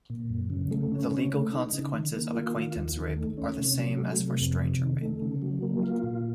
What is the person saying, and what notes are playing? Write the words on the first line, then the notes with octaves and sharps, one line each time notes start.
The legal consequences of acquaintance rape are the same as for stranger rape.
A#2
F#2
C#3
A3
C#4
C#3
A3
D#4
C#3
D#3
A#3
F4
D#3
D#2
D#3
A3
C#4
C3
F#3
A3
C3
F2
C3
D#3
A3
C#3
F#3
A#3
F4
A#2